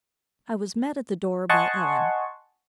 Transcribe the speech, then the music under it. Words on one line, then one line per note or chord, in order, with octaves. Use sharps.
I was met at the door by Ellen.
D#5 F#5 G#5 A5 C6 C#6